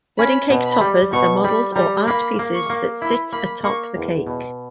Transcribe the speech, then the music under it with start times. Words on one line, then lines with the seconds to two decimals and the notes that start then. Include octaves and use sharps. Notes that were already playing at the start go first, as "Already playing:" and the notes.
Wedding cake toppers are models or art pieces that sit atop the cake.
0.18 C#4 B5
0.50 B2
0.65 B5
0.81 G3
1.13 B2 C#6
1.44 G3 B5
1.75 G3 A#5
2.07 A#3 B5
2.39 A#3
2.54 C#6
2.70 A#3
3.01 E4 B5
3.33 A#3 B5
3.64 A#3 C#6
3.96 E2
4.27 B2